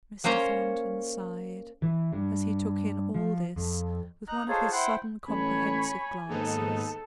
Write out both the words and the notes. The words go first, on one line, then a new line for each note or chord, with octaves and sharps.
Mr. Thornton sighed as he took in all this with one of his sudden comprehensive glances.
A#3 C#4 C5 C#5 A#5
E3
G2
F3
F2
D#4 A#5 F#6
D#4 F4 G#4 A4 C5 C#5
E4 C5 F#5 G5
A1 C#5 G#5 B5
D#2 G#2 B3 D#4 A4